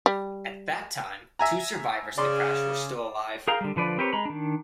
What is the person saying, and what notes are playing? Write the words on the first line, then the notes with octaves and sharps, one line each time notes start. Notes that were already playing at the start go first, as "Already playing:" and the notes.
At that time two survivors of the crash were still alive.
G3
E5 G#5 A#5
C#3 D5 C6
G#4 A#4 F5 G5 A#5
D3 G3
D3 F3 B4 D5
C4 G4 A#4 B4 C#5
G#3 A#5 B5
D#3 D4